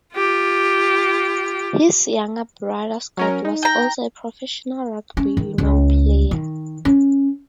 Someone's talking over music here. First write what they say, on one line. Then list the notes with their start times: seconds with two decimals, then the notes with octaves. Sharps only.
His younger brother Scott was also a professional Rugby Union player.
0.15 F4 G4
3.17 F#3 C#4 A#4
3.45 D#4
3.63 G5 A#5
5.17 C#4
5.37 D#3
5.58 C#2
6.31 D#3
6.85 C#4